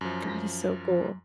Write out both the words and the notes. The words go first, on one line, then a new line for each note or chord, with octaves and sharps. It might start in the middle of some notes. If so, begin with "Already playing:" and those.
That is so cool.
F#2 F3